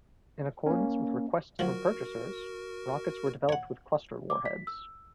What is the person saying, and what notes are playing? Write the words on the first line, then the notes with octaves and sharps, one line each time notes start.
In accordance with requests from purchasers, rockets were developed with cluster warheads.
A#3 C#4
F3 F#3 F#4 A#4
C#5 F#5
D6
B6
E6